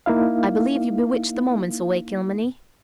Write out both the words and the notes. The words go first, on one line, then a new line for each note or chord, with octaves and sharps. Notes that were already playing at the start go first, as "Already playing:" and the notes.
I believe you bewitch the moments away, Kilmeny.
A#3 D#4 E4 F5